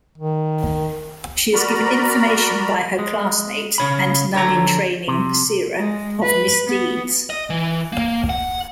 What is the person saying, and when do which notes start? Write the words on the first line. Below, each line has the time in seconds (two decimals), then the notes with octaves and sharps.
She is given information by her classmate, and nun-in-training, Seira, of misdeeds.
0.18 D#3
1.54 F#4 A#4 D5 A#5 B5
2.99 G#3
3.78 C#3 C#5 B5
4.35 D3 C#5 A#5
5.08 C3
5.78 G#3
6.23 B4
6.68 B3
7.30 D#5
7.50 E3
7.93 A#3
8.29 F#5